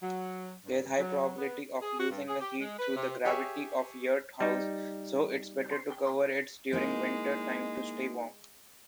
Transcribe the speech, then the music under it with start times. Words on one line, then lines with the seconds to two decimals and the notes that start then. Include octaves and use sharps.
There is a high probability of losing a heat through the gravity of yurt house, so its better to cover it during winter time to stay warm.
0.01 F#3
0.64 G2
0.97 F#3
1.37 B3
1.81 G#4
1.99 F#4
2.11 G2
2.28 G#4
2.40 G4
2.60 G#3
2.79 B4
2.95 C3
3.25 G4 G#4 C#5 E5
4.40 G3 D#4
6.73 G#3 A#3 D#4 E4